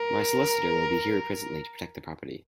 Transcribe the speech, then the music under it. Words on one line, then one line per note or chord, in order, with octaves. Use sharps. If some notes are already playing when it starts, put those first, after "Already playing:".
My solicitor will be here presently to protect the property.
Already playing: A#4